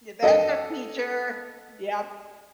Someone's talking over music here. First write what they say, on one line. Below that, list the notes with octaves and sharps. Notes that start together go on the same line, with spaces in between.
Yeah, that's a teacher. Yep.
A4 D#5